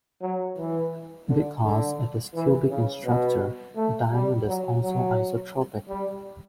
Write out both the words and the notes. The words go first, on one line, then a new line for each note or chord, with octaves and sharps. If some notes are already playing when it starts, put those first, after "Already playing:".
Because it is cubic in structure, diamond is also isotropic.
F#3
E3
D3
D3
E3
C#3
B2
A3
G3
F#3
F#3
G3